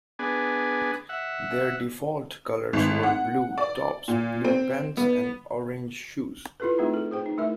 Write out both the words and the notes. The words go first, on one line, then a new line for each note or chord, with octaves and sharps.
Their default colors were blue tops, blue pants and orange shoes.
B3 D4 G#4
E5 F#5
G#1
F#5
D5
A#2
C4
B3
E4 F4 G4 A4 B4
A3 C4 D#4 F4 G#4
A4
G#4 C5 G5
D#4
A3 E4 A#4 E5